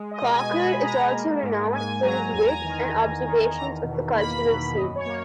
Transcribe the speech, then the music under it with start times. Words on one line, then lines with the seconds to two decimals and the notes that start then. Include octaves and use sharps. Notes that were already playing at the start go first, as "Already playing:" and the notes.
Cocker is also renowned for his wit and observations of the cultural scene.
Already playing: G#3
0.11 D#5
0.22 B2
0.32 G#5
0.51 G#3 B5
0.82 G#3 A#5
1.12 A#3
1.43 G#2
1.73 G#2 G#5
2.03 F#3 A#5
2.33 E2 G#5
2.43 A#5
2.52 G#5
2.63 D#3
2.94 E2
3.24 D#3
3.54 E2 A#5
3.84 B2
4.15 A#3 B5
4.45 B2
4.75 F#2 D#5
4.96 C#5
5.06 A#3